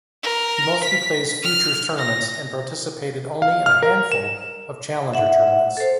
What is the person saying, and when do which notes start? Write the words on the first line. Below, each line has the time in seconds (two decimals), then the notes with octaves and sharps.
He mostly plays Futures tournaments and participated only in a handful of Challenger tournaments.
0.23 A#4
0.84 B6
1.43 F6
1.99 A#6
3.42 F5
3.66 F6
3.83 A#4
4.12 E7
5.14 E5 F#5
5.77 A4 C5